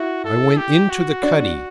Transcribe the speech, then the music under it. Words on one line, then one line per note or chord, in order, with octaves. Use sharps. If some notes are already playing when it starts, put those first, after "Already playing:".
I went into the cuddy.
Already playing: E4 F#4
A4
G4
F#4
D4
D4